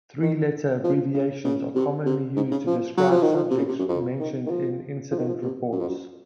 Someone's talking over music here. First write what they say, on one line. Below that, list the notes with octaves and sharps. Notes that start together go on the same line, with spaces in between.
Three letter abbreviations are commonly used to describe subjects mentioned in incident reports.
D#3
F3
C#3
C#3
C3
C3
G#2
C#3
F3
F#3
F3
D#3
F3
C3
C#3
C3
F#2
F2
D#3
D#3
F3
F3
D#3
F3
C3
F#2
F2
F#2